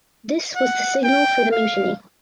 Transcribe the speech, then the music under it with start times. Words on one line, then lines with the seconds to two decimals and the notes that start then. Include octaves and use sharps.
This was the signal for the mutiny.
0.56 F#5
1.04 G5
1.52 F5